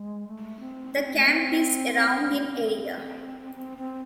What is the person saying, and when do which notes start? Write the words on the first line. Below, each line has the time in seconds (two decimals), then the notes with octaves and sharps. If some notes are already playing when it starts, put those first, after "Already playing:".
The camp is around in area.
Already playing: G#3
0.28 A3
0.60 C4
0.93 C#4
1.04 C4
1.16 A3
1.26 C4
2.24 C4
2.32 A3
2.39 C4
3.55 C4
3.78 C4